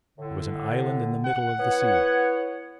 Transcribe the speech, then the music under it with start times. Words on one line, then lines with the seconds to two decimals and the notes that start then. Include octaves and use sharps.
It was an island in the middle of the sea.
0.18 A2 D3
1.26 F#5
1.59 B3 E4 C#5